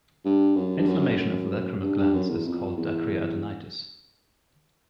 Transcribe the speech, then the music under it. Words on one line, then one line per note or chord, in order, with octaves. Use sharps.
Inflammation of the lacrimal glands is called dacryoadenitis.
G2
F#2
G2
F#2
F#2
G2
G2
F#2
E2
F2
E2